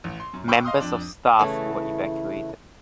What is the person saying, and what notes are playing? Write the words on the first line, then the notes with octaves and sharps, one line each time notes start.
Members of staff were evacuated.
A1
C6
F#2
G5 B5 C#6 D6 E6
D#5 F5 C6 D#6
F2 D4
C#3 E3 A3